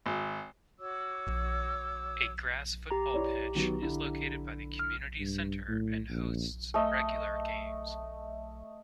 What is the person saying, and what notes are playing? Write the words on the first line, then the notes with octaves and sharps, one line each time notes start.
A grass football pitch is located by the community centre and hosts regular games.
G#1
F#4 C#5 D6 E6
G4 A#5
E4 C#5 D5
D#3 F#3 B3
D3 E4
F6
G2
A2
A#1
A3 D#5